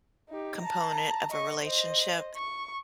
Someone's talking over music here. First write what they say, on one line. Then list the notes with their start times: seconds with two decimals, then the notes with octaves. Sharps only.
component of a relationship,
0.30 D#4 G4
0.61 A5 A#5
1.32 D#5 C#6
1.63 C5 D#5
2.37 C#6